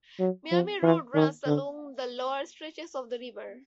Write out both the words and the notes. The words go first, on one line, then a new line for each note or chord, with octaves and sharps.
Miami Road runs along the lower stretches of the river.
F#3
F3
E3
D#3
D3